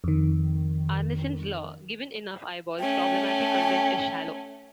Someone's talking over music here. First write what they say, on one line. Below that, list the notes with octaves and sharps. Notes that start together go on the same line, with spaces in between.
Arnison's Law: "Given enough eyeballs, problematic content is shallow".
F2 D#3
A3 C#4 G5